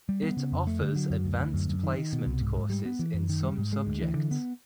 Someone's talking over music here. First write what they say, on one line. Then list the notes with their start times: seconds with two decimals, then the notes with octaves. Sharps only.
It offers Advanced Placement courses in some subjects.
0.09 G3
0.23 B3
0.37 C#3
0.52 F2
0.67 A3
0.81 D3
0.96 F#3
1.10 F#2
1.24 D2
1.40 D2
1.54 F#2
1.69 F#2
1.83 D#3
1.97 D#3
2.13 B2
2.26 C2
2.41 G#2
2.56 G#2
2.70 G3
2.85 B3
2.99 E3
3.14 F#2
3.29 D#3
3.43 G3
3.58 G#2
3.73 G#3
3.87 D2
4.01 E3
4.15 D3
4.31 B3